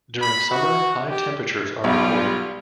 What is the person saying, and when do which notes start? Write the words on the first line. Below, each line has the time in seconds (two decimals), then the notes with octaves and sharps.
During summer, high temperatures are recorded.
0.21 B5
0.51 F#4
1.08 G4
1.84 B1 G3 F4